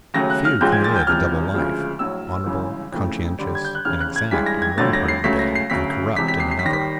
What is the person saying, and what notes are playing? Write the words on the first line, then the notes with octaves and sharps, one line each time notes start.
Few can live a double life--honorable, conscientious, and exact in one part of the day, and corrupt in another.
D#2 C#3 F#3 A3 A#6
F#6
F6
A1 G#2 F3 G#3 G6
G#6
A6
G6
E1 E2 C3 F3 F6
D2 C#3 F3 G#3
A#1 A2 F#3 E6
G1 F#2 C#3 E3 G#3
F2 C#3 E3 A3
D#2 D3 G3
G#6
G6
F#6
F1 E2 C#3 F6
F#6
G#6
A1 G2 E3 G#3 B6
A#6
G#6
G1 F2 D3 F#3 A3 A6
A#6
C7
C#2 C#3 F#3 A3 B6
A#6
C7
D2 C#3 F#3 B6
E1 E2 C3 B6
B6
C7
C7
B6
D#2 D#3 G3 A#6
B6